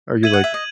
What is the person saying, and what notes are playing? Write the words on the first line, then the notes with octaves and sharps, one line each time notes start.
Are you like
E5 G#6 D#7 F#7
F#5
E5
D#5